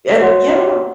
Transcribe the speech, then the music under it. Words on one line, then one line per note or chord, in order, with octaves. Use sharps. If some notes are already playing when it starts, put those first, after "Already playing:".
And yeah.
F#4 C#5 F#5 C6